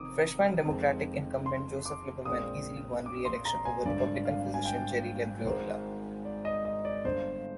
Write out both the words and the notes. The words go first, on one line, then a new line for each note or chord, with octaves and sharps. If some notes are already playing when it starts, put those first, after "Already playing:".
Freshman Democratic incumbent Joseph Lieberman easily won reelection over Republican physician Jerry Labriola.
Already playing: F1 F2 D#3 D6 D#6
F2 D#3 G#3 C4
C6
D6
A#1 A#2 G#3 C4 D#6
D6
C6
A#5
G#5
G#1 G2 D3 D5
F5
G#5
G5
G#1 G#2 D#3 C5
D5
D#5
D#5
D5
G1 G2 D3 C5